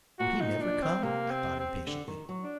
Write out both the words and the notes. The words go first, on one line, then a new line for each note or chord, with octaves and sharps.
Would he never come? I thought impatiently.
A#2 F#4
D#4
D4
C4
C3 A#3
C4
C4
D3
D#3
F#3
D4